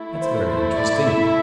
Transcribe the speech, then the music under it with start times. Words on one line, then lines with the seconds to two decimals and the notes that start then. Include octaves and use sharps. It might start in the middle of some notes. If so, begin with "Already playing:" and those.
That's very interesting....
Already playing: A3 E4 A4
0.20 C5
0.48 C5
0.76 D5
1.04 E5